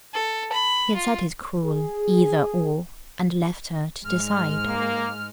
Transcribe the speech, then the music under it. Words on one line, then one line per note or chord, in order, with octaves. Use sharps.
He had said his cruel "Either--or--" and left her to decide.
A4
B5
F4
G#4
G#2 G#3 F6
A#3